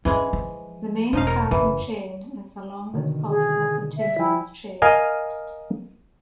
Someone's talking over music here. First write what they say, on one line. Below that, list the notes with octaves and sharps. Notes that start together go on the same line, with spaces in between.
The main carbon chain is the longest possible continuous chain.
E3 G#3 C#4 D4
F3
E1 F3 D#4 F5
A#4
F#1 E3
B2 D3 D#3
G#4
E5
F3 E4 G5 G#5
A#4 D#5 F5 G#5